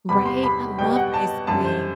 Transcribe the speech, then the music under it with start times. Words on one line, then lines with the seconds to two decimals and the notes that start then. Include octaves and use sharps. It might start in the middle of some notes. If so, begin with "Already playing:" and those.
Right, I love ice cream,
0.09 E2 C3 G3 B5
0.26 C6
0.44 B5
0.78 B2 G3 G5
0.96 F#5
1.14 A5
1.47 F#2 D3 G3 A5
1.65 C5